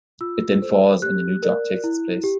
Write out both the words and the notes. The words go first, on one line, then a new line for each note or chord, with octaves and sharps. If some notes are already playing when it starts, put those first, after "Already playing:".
It then falls and a new drop takes its place.
F4 E6
A4 C5
G4 F#6
A#4 D5
E4
G4